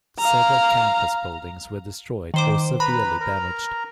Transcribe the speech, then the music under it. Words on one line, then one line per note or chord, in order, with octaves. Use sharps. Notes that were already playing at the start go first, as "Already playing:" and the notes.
Several campus buildings were destroyed or severely damaged.
F5 A#5
D#3 C5 D6
B4 A#5 B5
A#4 A#5